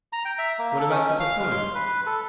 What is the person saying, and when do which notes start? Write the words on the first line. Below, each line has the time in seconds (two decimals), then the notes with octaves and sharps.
"What about the Papuans?"
0.13 A#5
0.25 G5
0.38 E5
0.59 A#3
0.79 A4
0.91 C#4
1.20 F5
1.37 G#3
1.52 C6
1.75 B4
2.06 A4